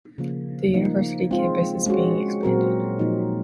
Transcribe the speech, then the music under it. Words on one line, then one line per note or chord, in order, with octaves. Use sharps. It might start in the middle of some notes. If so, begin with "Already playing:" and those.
The University campus is being expanded.
C#3 F3 A#3
F3 A#3 D#4
G#3 C4 F4
G#3 C#4 F#4
A#2 F#3 C4 F#4 A#4
A#2 F3 A#3 D#4